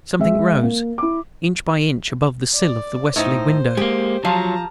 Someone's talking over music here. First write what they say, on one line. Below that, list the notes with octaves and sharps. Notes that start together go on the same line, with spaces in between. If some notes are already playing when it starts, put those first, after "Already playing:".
Something rose, inch by inch, above the sill of the westerly window.
G#3 E5
A#3
E4 D6
D5
A2 D#4 C5
G#3 A#3 G4
F3 F#3 F4 A5 A#5